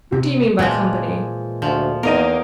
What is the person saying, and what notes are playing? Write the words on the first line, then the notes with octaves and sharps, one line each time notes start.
"What do you mean by company?"
C3
A#2 E3 F3 G#3
D2 F3
E2 A#3 D#4 A#4 D#7